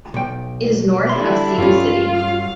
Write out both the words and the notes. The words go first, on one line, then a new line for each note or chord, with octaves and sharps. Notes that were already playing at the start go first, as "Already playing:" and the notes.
It is north of Cebu City.
B1 G5
D3 G3 E4 C6
G2 C#4 F4
F#3 F5